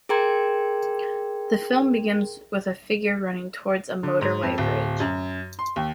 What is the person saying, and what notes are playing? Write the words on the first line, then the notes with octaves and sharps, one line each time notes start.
The film begins with a figure running towards a motorway bridge.
G#4 A#4 G5 A#5 C6 G#6
D3
G#2
F2
D1
F#2
C6
D#2